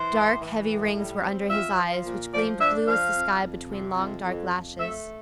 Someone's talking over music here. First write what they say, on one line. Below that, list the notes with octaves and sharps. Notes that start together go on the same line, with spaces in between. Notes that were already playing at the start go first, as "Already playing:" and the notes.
Dark, heavy rings were under his eyes, which gleamed blue as the sky between long dark lashes.
Already playing: E3 C5
A2
E3
A2
G3
C4
F3 E5
F3
A#2
F3 D5
D4 E5
F3 F5
F2
F2
C3
F2
F2
F2
A3 E5